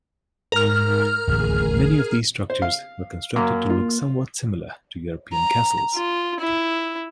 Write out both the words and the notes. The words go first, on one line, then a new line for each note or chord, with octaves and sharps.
Many of these structures were constructed to look somewhat similar to European castles.
G#2 A#4 F6
D1 A1 D#2 G#4
C5
F5
F#2 A#3
F4
A#5
F4
E4